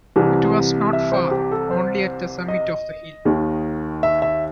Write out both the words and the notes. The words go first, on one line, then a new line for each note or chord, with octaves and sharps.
It was not far, only at the summit of the hill.
C2 C3 E3
E5
C5
G4
A4
C5
D#5
D#2 D#3
E5
E5